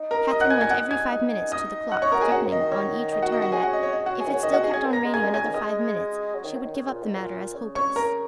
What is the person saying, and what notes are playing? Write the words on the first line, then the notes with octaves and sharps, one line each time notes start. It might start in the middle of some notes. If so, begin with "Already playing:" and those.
Catherine went every five minutes to the clock, threatening on each return that, if it still kept on raining another five minutes, she would give up the matter as hopeless.
Already playing: D#4
A#4 A#5
D#5 D#6
F#5 F#6
G#5 G#6
G#5 G#6
F#5 F#6
G#5 G#6
D#4
D#5 D#6
F#5 F#6
C#5 C#6
F#4 A#4 A#5
D#4 G#4 G#5
C#4 F#4 F#5
A#3
D#5
D#3
C#5
D#5
F#4 F#5
D#5
F#4 F#5
F#3 G#4 G#5
F#4 F#5
D#5
C#5
D#5
F#4 F#5
G#4 G#5
D#3
F#3 C#5
D#3 D#5
D#4 F#4 F#5
D#4 G#4 G#5
C#4 G#5 G#6
A#3
A#5 A#6
G#3
A#3 G#5 G#6
G#3
C#3 G#5 G#6
D#3
G#3 D#5 D#6
F#3
D#3
F#3
D#3
C#3
A#2
G#2
A#2
C#3
C#5 C#6
A#4 A#5